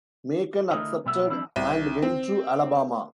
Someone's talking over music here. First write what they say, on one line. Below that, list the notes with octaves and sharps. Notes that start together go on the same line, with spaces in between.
Macon accepted and went to Alabama.
D3 A3 E4 A#4 D#5
B2 G3 A#3 B3 E5
F3 G3 G#3 C4 D4 E4
C2
C4